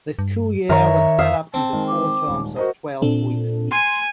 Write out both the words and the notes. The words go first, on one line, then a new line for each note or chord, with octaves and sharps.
The school year was set up into four terms of twelve weeks each.
G2
F#2 D#3 C#5 E5 A#5 F6
F2 E5 F5 D#6 F6
C4 A5
D#3 G#3
D6
D#1 G#2
F#4 A#4 C5 D#5
A#2 C4 D4 A4
G#5 C6